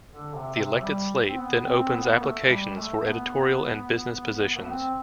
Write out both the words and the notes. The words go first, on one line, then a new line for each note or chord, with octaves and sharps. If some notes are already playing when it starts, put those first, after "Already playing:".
The elected slate then opens applications for editorial and business positions.
D3
C3
C3
G3
C4
B3
C4
B3
B3
A3
G3
A3
B3
A3
B3
C4